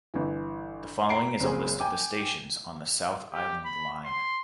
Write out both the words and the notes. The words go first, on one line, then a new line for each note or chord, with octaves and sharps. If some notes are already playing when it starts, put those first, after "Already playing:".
The following is a list of the stations on the South Island Line.
G1 E3
A#5 C7 D7
F#1 C#2 C4 G#4
G5 G#5 D6
G4
B5
C6